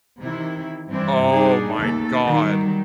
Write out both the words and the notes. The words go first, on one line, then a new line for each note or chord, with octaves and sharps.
Oh, my god.
C3 D#3 E3 E4
G2 E3 C4 D4 E4
G3 D4 D#4 G#4
D#2 C#3 A3 A4
D#3 F#3 G3